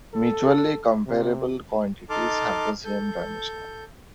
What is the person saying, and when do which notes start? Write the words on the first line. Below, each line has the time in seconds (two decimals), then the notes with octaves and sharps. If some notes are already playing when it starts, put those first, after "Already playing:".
Mutually comparable quantities have the same dimensionality.
0.14 A4
1.06 C3
2.10 D#4 A4 A5 C6 D6 F6
2.85 A4 G6